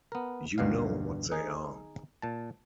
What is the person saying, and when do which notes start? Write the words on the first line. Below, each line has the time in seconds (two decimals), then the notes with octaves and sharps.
You know what they are.
0.12 B3 A#4
0.58 D2 G2 B2 D#3 F5
1.32 D#4 G#4
2.22 A#2 A5